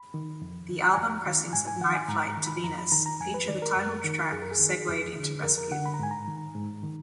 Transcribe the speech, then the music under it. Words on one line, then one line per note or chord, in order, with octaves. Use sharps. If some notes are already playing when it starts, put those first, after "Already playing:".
The album pressings of "Nightflight to Venus" feature the title track segued into "Rasputin".
Already playing: B5
D#3
F2
D#3
G#5
F2 A#5
D#3
G#2 G#5
G#5
D#3 F#5
G#5
G#2 A#5
A#5
D#3
B5
F2 A#5
B5
D#3 A#5
A#5
F2 G#5
B4
D#3 D5
A#4
F#2
D#3
F#2 G#4
A#4
G#4
D#3
F2
D3
F2 A#4
A#4
D3 F#5
B5
A#5
G#2 G#5
A#5
D#3
G#2
D#3